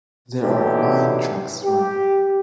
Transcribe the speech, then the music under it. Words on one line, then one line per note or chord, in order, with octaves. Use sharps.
There are nine trucks running.
D3 E3 F#3 D#4 G4
G4